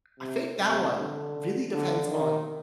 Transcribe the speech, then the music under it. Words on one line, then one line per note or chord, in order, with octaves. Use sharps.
I think that one really depends on
C3
C3
D3
D3
D#3